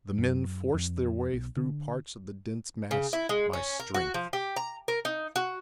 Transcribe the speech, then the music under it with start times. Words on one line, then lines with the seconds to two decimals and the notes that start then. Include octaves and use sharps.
The men forced their way through parts of the dense mass by strength.
0.18 F#2
0.74 F2
1.33 B1
1.57 D3
2.91 C#3
3.13 E4
3.29 G#3
3.53 C#4
3.80 A#4
3.94 F#4
4.14 F3
4.33 G4
4.56 A#5
4.88 A#4
5.05 D#4
5.36 F#4